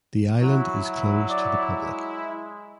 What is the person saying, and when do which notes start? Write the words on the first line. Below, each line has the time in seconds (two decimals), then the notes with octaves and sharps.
The island is closed to the public.
0.42 F#3 E4 F#4
0.98 B4
1.30 D5
1.73 G#3